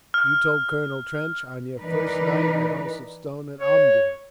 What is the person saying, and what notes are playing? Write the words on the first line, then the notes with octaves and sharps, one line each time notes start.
You told Colonel Trench on your first night in the House of Stone at Omdurman.
F6
E3 D#4 A#4 B4 D5
C#5